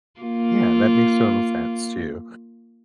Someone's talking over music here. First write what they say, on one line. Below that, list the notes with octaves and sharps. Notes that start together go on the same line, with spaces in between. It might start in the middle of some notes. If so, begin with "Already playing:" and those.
Yeah, that makes total sense too.
A#3 F4